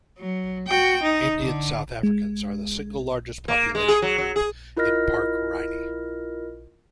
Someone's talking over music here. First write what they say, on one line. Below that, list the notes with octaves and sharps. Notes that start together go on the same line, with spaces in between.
Indian South Africans are the single largest population group in Park Rynie.
F#3
F#4 G5
D#4
D3
G#3
A#3
G#3
G#4
F#3
F#3
G#4
E4 F4 A#4 D#5 F6 A#6